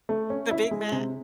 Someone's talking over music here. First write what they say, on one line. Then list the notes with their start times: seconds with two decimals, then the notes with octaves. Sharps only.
The Big Mac?
0.09 A3
0.30 C#4
0.51 E4
0.71 G#3
0.92 C3